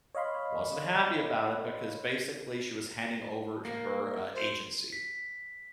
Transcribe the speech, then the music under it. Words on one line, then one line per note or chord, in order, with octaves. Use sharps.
wasn't happy about it, because basically she was handing over to her, uh, agency,
C#5 D#5 F5 B5 C6
A#3
C5
B6